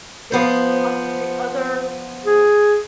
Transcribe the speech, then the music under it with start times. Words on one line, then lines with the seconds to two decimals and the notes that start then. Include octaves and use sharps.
They'll g other The other
0.32 F3 B3 C5
2.25 G#4